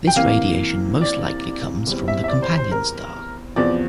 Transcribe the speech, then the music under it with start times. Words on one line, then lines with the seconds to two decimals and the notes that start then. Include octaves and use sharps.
This radiation most likely comes from the companion star.
0.07 G5
0.16 C3 E3 A#3 F5
1.01 D5
1.87 E2 E3 G3 C4
2.08 E5
2.24 E5
2.28 D5
2.42 C5
2.58 C5
2.71 A#4
3.56 E2 C3 F3 D5